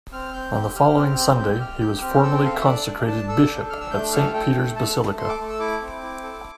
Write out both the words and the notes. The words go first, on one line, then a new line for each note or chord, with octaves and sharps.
On the following Sunday, he was formally consecrated bishop at St. Peter's Basilica.
C4 F6
C4 G6
G4 G6
G4 F6
C4 F6
G4 G6
G4 G6
G4 F6
G4 G6
C4 F6
A4 E6
G5
A4 F5
E5
D4 D5
D4
D4 A5
A4 E6
D4 G6
D4 F6
E6
A3 G6
A4 F6
A4 G5
A3
A4 A5
A3
A4 C6
D6
A3
E6
E4 D6
C4
E4
A4